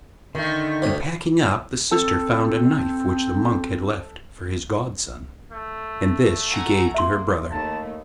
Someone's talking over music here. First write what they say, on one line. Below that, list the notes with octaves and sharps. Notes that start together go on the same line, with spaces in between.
In packing up, the sister found a knife which the monk had left for his godson, and this she gave to her brother.
D3 D#3 A3 D#4
D2 C3 C#5
C4 A4
A3
F#5 G#5 A#5
A#3 E5 C6
D#2 A3 A5